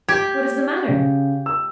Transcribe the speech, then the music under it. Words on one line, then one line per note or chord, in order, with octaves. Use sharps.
"What is the matter?"
G4 G#6
C#3
E6